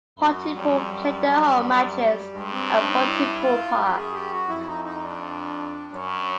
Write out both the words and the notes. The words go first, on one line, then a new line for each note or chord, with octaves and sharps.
Pontypool play their home matches at Pontypool Park.
F#2 F#3
F2 G3
F#2
G2 G#3
C4
C#4
D4
D#4
E4
F4
F#2 G4
G#4
G4
F#4
F2 E4
D#4
D#4
D4
F#2 C#4